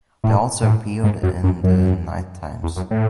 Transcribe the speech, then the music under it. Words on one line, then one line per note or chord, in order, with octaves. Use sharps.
They also appeared in the Night Times.
A2
A2
G#2
F#2
F#2
F#2
E2
F#2
A2